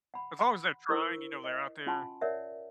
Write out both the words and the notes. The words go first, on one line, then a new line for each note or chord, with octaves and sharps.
As long as they're trying, you know, they're out there
F#5 B5
F#5 B5 C6
E4 A4 A#4 C5 C#6 E6
D#5
C#4 F4 F#5 G#5 A5 C6
A#4 C#5 D5 E5 F#5